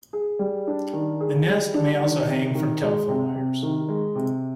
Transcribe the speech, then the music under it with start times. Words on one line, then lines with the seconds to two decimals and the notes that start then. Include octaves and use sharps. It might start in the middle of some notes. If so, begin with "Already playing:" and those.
The nest may also hang from telephone wires.
0.13 G#4
0.39 G3
0.67 D4
0.93 D#3
1.20 G#4
1.48 G3
1.74 D4
2.01 D#3
2.28 C3
2.55 D#3
2.82 G#3
3.09 C3
3.35 C3
3.63 D#3
3.89 G#3
4.16 C3